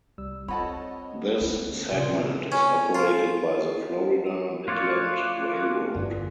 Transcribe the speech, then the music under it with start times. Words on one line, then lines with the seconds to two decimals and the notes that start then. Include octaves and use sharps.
This segment is operated by the Florida Midland Railroad.
0.18 C2 G3 E6
0.48 C4 F4 A4 C#5 D#5 F#5 A5 B5
1.41 D2 G#3 B3 C#4
1.90 A#2 C#3 F4 G#4 C5 D5 G#5
2.52 C#4
2.95 F4
4.68 A3 F4 C#5 D5 F5 D6 F#6
5.96 G1 G2 F4 B4 D5